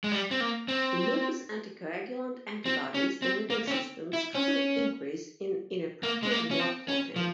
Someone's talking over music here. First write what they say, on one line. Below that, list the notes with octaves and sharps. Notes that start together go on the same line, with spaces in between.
Lupus anticoagulant antibodies in living systems cause an increase in inappropriate blood clotting.
G#3
G3
C4
A#3
C4
C4
C#4
C4
A#3
C#4
C4
E4
C#4
A#3
G#3
A#3
C#4
C4
C#4
F3